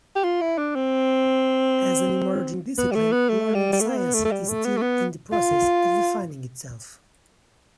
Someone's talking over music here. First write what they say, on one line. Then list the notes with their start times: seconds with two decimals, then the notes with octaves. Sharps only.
As an emerging discipline, learning science is still in the process of defining itself.
0.16 G4
0.24 F4
0.41 E4
0.58 D4
0.75 C4
2.78 B3
2.91 G3
2.95 A3
3.12 B3
3.29 A3
3.55 G3
3.73 G3
3.81 A3
3.89 C4
3.97 B3
4.14 A3
4.25 A3
4.31 G3
4.48 A3
4.65 B3
4.77 A3
4.82 B3
5.33 F4